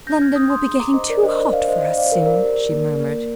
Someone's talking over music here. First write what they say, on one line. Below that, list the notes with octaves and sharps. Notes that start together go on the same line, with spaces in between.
"London will be getting too hot for us soon!" she murmured.
D4 G6 A#6
F6 G#6
D4 D#6 G6
C6 D#6
G#4 C6 D#6
A#5 D6
D4 C5 D#5
A#4 D5
D4 C5 D#5
C5
A#4 D5
D4 D5 F5
C5 D#5
D4 D5 F5
D5 F5
C5
D4 A#4 D5
C5
A#4 D5
G4
A#3
A#3